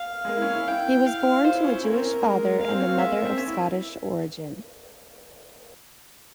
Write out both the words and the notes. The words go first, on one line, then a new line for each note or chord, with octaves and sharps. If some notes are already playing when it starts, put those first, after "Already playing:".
He was born to a Jewish father and a mother of Scottish origin.
Already playing: F5
G#3
A#3
E4
C#4
E4
E4 G5
F5
F4 C5
E4
C#4
E4
C#4 A#4
C4
C#4
A#3
G#3
A#3 F5
C4
C#4
C4
G#3 E5
A#3
C4
C#4
E4